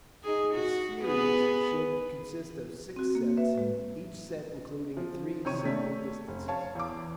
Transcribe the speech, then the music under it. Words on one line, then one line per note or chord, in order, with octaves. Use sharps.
A series should consist of six sets, each set including three simple distances.
D#4 G#4
F#4
B3 G#4 B4
C4 F#4
A#3
B4 E5
A2 G#3
F3
C3 D#3 C#5 C#6 D#7
A3 C#4 D5 B6
F1
C#5 F5 A5
E2 D6